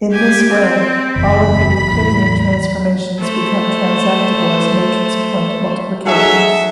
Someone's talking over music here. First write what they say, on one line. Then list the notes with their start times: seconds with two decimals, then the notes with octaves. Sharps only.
In this way, all of the euclidean transformations become transactable as matrix point multiplications.
0.11 G4 G#5
0.51 C4
1.16 F#1 E2 C3 B5
1.90 E2 A2
3.19 A3 C5
6.06 F#3 D#4 F#4 G#4 A4 E5